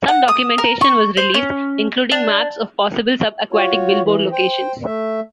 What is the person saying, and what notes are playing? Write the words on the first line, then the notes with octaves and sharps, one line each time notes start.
Some documentation was released, including maps of possible sub-aquatic billboard locations.
F#5
D#6
A#4
C#6
C5
C#4
D4
F4 F#4 C#5
E3
C5 G5
A3 E5